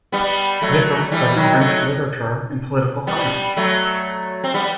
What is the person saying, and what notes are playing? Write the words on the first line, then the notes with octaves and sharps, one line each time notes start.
Ziffer studied French literature and political science.
G3 B3
F#3 A3
E3 G3
D#3 F#3
F#3 A3
G3 B3
F#3 A3
C4
G3 B3